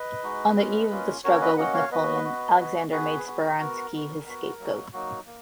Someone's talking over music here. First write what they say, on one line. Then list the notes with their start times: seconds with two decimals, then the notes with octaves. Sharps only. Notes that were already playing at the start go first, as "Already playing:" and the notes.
On the eve of the struggle with Napoleon, Alexander made Speransky his scape-goat.
Already playing: B4 D#5
0.23 G#3 D#4 F#4
0.57 A#3 C#4 F4
0.91 A#3 C#4 F4
1.24 A#3 C#4 F#4 A#4 C#5
1.41 B4 D#5
1.57 A#3 C#4 F#4 D#5 F#5
1.74 C#5 F5
1.92 B3 F#4 B4 D#5
2.25 B3 F#4
2.58 B3 F#4
2.91 B3 F#4 G#4 B4
3.25 B3 F#4
3.59 B3 F#4 A#4
3.93 B3 F#4
4.27 B3 F#4
4.60 F#3 A#3 D#4 F#4
4.93 F#3 A#3 D#4 F#4
5.26 A#3